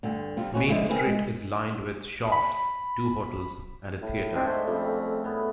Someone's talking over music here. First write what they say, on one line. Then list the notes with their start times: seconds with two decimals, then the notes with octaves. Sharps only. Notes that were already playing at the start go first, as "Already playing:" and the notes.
Main Street is lined with shops, two hotels and a theatre.
0.03 D2 G2 D3
0.37 C3 G3 F4
0.54 C#4 F#4 B4 E5
0.67 D3 F3 G#3 E4 E5
0.89 C4 G#4 A#4 B4
1.07 G#3
2.32 B5
4.02 A2
4.35 G#2 C4 D4 E5
4.47 A3 C5
4.67 F2 C#3 G3
5.24 A2 B3